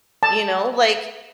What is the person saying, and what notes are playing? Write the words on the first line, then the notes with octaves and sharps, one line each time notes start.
you know, like,
A5